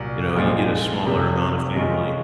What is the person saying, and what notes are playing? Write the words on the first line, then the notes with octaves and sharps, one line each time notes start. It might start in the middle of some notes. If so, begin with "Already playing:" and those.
you know, you get a smaller amount of family.
Already playing: C2 A#2 F#3
A#1 A#2 G#3 C4 F4
F1 F2 C3 F3
C3 D#3 G#3 C#4 F4